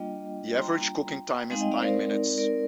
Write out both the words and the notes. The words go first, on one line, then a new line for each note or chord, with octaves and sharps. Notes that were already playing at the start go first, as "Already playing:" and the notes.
The average cooking time is nine minutes.
Already playing: G3 A#3 D4 F4 D#5 G5
C6
G5 A#5
G#3 C4 D#4 F5 G#5
D#5 G5
D5 F5
C5
A#4 D5
A#4 D5